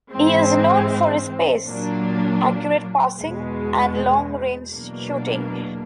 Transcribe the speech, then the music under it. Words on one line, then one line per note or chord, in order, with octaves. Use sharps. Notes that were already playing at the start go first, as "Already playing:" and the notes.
He is known for his pace, accurate passing and long range shooting.
G#2 E3 G#3 C4
A#2 F#3 A#3 D4
E2 B2 G#3
E2 B2 F#3 A#3 D4